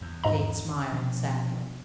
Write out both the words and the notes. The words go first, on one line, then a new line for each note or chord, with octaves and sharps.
Kate smiled sadly.
E2
G#2 D#5 A#5
B2 F3 D4